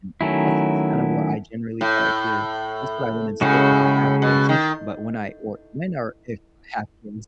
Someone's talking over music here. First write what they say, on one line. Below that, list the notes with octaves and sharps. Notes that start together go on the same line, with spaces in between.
and that's that's kind of what I generally try to that's what I wanna instill, if I have kids, but when I or when or if I have kids,
D#3 F#3 A3 C#4 E4
A2
A2 C#3 G#3 C#4 F#4
B2
D#3